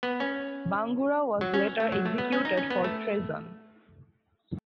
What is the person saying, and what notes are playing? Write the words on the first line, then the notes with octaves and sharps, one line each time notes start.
Bangura was later executed for treason.
B3
C#4
F#3
C#4
A3
F#3
A3
B3
C#4
D#4
C#4
B3
A3